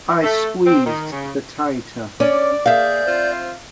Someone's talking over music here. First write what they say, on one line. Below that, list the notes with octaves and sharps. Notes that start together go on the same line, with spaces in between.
I squeezed the tighter.
A3
C4
D#3
C#3
C#4 D5
A#3 G#4 D5 E5 F5 G6
C4 F4 C5